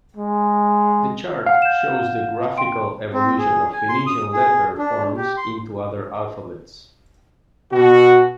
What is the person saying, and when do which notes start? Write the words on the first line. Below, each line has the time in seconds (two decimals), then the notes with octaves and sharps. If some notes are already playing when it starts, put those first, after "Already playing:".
The chart shows the "graphical" evolution of Phoenician letter forms into other alphabets.
0.16 G#3
1.46 F5 F#5
1.62 G6 E7
2.58 G5 C6 D7
3.14 C4
3.38 G#4
3.73 G#5
3.89 C6
4.07 D#6
4.33 G#4
4.78 D4
5.17 G4
5.37 C6
7.72 B2 F#4